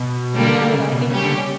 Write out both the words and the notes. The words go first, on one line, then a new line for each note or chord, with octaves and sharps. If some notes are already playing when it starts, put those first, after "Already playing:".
you know, like, I think,
Already playing: B2
D3 G3 A#3 D4 G4
C#3
B2
C#3 G3 C#4 G4
D3